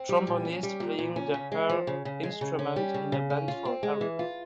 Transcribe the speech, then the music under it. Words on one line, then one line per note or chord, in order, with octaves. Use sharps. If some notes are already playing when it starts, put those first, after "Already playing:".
Trombonist playing the her instrument in a band for a parade.
Already playing: C4
G3
A#2
C#4
G3
A#2
A#2
C#4
C#3
G#3
F3
C#3
C#3
G#3
C#3
C#4
G3
C#3
C#3
C#4
F4
C4
G#3
E3
F4